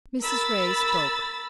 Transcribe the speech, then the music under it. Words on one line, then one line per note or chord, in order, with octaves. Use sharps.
Mrs. Ray spoke.
A#4 B5 E6 A6